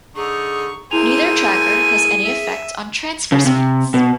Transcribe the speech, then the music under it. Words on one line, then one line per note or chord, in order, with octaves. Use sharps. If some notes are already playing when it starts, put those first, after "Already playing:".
Neither tracker has any effect on transfer speeds.
D3 D#4 G#4 C#6
A3 A#3 E4 G#4 C5 G#5 F7
E5
C#3
C3
B2